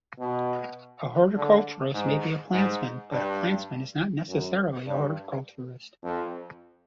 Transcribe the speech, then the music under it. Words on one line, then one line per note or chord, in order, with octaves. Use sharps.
A horticulturist may be a plantsman, but a plantsman is not necessarily a horticulturist.
B2
D3
G#2
G#2
G2
F#2
G2
F2